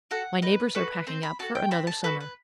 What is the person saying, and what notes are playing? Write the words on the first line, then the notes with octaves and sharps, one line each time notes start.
My neighbors are packing up for another summer.
F#4 A4 F#5
D#4 B4
F#4 A4 B4
C4 C5
B5
F#4 A4 A5
G5
C4 B5
A5
F#4 A4 B4
B4